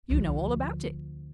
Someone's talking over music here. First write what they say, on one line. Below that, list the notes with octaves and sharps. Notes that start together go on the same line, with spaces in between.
You know all about it.
D2 F3